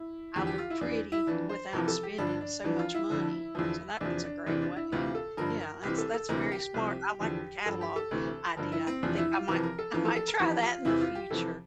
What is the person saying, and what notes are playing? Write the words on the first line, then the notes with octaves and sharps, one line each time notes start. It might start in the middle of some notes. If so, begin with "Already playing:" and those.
"I look pretty" without spending so much money. So that that's a great way. Yeah. That's that's very smart. I like the catalog idea. I think I might I might try that in the future.
Already playing: E4
E2 D3 F3 G4
G4
F4
E4
E2 E3 D4
E4
F2 E3 D4
C5
F2 C3 E3 A#4
A4
G4
G2 D3 F3 D4
D4
F2 E3 D4
F4
E4
F2 D3 F3
E2 D3 F3
E2 C3 F3 D4
D4
E2 C3 E3 D4
D4
E4
D2 C3 E3 F4
A4
G2 D3 F3 A#4
A#4
C2 C3 E3 G4
A4
A4
D2 C3 E3 A#4
G4
C2 C3 F3
E2 D3 F3
G2 F3 A4
G4
A4
D2 C3 E3
G2 D3 F3 A#4
E4
C4
E2 C3 F3 D4
E4
F4
F2 C3 E3 A#4
A#4
A4
F2 E3 F4
A4
A4
A#4
F2 E3 G4
F4
E2 C3 E3 E4
F4
G4
F2 C3 E3 A4